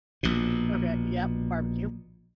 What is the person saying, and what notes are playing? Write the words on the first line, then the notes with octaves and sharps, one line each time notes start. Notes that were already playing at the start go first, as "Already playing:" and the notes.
Okay. Yep. Barbecue.
A#1 B2